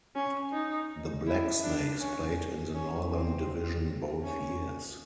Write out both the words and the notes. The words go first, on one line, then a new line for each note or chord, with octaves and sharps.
The Blacksnakes played in the Northern Division both years.
C#4
D#4
E4
D4
C#4
C#4
C4
C#4